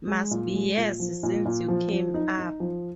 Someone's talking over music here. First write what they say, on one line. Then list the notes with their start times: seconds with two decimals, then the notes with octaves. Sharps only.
Must be years since you came up.
0.07 G#3
0.31 A#2
0.54 G#3
0.77 A#2
1.00 F3
1.23 A#2
1.46 A#2
1.69 F3
1.91 F3
2.14 D#4
2.38 D#4
2.60 F3